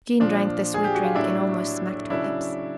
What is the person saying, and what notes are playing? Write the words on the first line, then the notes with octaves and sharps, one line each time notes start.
Jean drank the sweet drink and almost smacked her lips.
A#2 F3 D4
G#4
G4
F#4
F4
A2 F#3 D4 E4
C#3 F#3 D4 E4